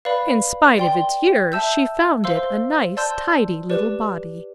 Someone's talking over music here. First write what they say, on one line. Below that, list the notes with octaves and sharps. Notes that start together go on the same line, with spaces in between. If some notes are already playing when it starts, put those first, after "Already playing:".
In spite of its years she found it a nice tidy little body.
B4 D5 F5 B5
D5 G5 C6
E5 A5 E6 G6
C5 F5 C6 E6
D5 A5 C6 E6 G6
G4 B4 D5